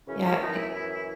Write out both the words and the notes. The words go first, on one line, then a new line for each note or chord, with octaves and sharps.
Yeah. I
F#2 C#3 E3 C#4
C#3 C#4
D#3 D#4
E4
E4
E4